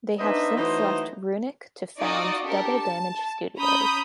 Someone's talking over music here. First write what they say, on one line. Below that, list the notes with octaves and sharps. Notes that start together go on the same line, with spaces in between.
They have since left Runic to found Double Damage Studios.
B3 D4 D#4 C5 D#5 E5
E3 F#3 A3 D#4 C5
D#4 F4 F#4 D5 D#5
D4 G4 A4 A#4
A5
C#4 A#5 B5 D#6 G6